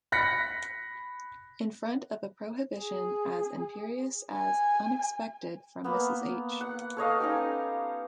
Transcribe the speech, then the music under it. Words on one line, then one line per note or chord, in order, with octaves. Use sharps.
In front of a prohibition as imperious as unexpected, from Mrs. H.
B5 F#6 A#6 B6 C#7
G#4
G#5
A#3 B3
F#5
A4 C#5 D#5 F5
C#4 D#4 G4